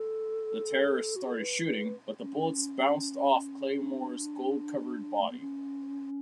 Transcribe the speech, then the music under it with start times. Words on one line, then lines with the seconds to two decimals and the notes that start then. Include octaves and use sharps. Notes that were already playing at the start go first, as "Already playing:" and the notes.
The terrorists started shooting, but the bullets bounced off Claymore's gold-covered body.
Already playing: A4
1.16 F#4
1.23 G#4
1.31 A4
1.40 B4
1.66 B4
2.20 C#4
3.80 D4
5.20 A3
5.30 B3
5.40 C#4